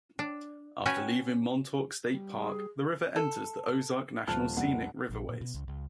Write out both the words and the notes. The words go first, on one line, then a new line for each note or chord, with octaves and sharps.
After leaving Montauk State Park the river enters the Ozark National Scenic Riverways.
D4
C#4 F#4 B4 C#5 G5 G#5
G3
G#4
A4
D#1 F3 F4 A5 F6 F#6
F1 C2 F#5
A#1
A#2
B2
C#2
C#2